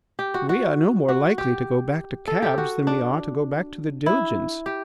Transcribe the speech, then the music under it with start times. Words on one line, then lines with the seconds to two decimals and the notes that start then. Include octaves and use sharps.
We are no more likely to go back to cabs than we are to go back to the diligence.
0.19 G4
0.34 F#4
0.49 F#4
1.09 F#4
1.38 G4
2.28 A4
2.42 G4
2.58 F#4
2.87 D4
4.06 E4
4.66 G4